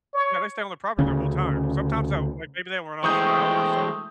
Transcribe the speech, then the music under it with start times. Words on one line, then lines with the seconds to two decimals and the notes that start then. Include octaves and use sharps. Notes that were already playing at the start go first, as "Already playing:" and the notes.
Yeah, they stay on the property their whole time. Sometimes, they'll, like maybe run off for an hour or so.
0.13 C#5
0.99 D2 C#3 C#4
3.04 E3 G#3 A3 C5 G5 C#6 D#6 G6